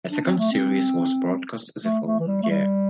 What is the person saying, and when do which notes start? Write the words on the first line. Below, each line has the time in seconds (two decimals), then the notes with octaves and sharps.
A second series was broadcast the following year.
0.11 D4
0.25 C4
0.37 A3
0.52 C4
1.84 A3
2.06 A3
2.20 E3
2.27 G3
2.43 A3
2.50 G3